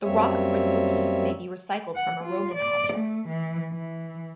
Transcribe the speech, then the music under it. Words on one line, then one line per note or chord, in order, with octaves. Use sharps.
The rock crystal piece may be recycled from a Roman object.
F#2 G3 A#3 C4 C#5 E5
F#5
F4
D5
A3
E3
E3